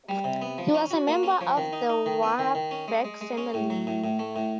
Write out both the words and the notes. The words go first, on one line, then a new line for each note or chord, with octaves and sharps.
He was a member of the Warburg family.
G3
C3
B3
F3
C#4
F#4
A#3
C#4
F3
D#3
D#4
D#4
D#3
B3
D#3
D#3
C#4
G#3
G#3
G#3
C#4
A2
F#3
A2
A2
A3
A2